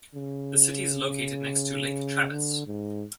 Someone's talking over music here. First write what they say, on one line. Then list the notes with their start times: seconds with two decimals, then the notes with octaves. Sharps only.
The city is located next to Lake Travis.
0.15 C#3
2.31 D3
2.67 G#2